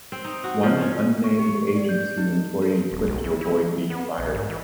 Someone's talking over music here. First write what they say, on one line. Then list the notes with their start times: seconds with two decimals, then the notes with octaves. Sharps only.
One unnamed agency employee quit to avoid being fired.
0.12 C4
0.25 D#4
0.44 F#4
0.63 F3
0.80 C#4
1.24 C#6
1.39 G4
1.76 D5
1.89 G6
2.18 D#4
2.62 A4
2.91 D1
3.07 B1
3.24 E3
3.41 E4
3.90 B3
4.18 A#1
4.34 G#2
4.50 E3